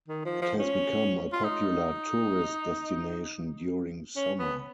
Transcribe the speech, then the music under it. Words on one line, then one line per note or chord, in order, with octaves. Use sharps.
It has become a popular tourist destination during summer.
D#3
F3
F3
C#4
F4
D#4
C#4
B3